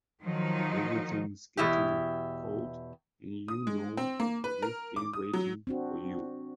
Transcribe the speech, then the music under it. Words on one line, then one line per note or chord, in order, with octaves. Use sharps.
Everything's getting cold and you know we've been waiting for you.
D#3 F3 F#3 D#4
E2 B2 E4 G4
D#6
G#3
C4
A#3
B4
A#4
D6
D#6
F#3
C4 D4 F#4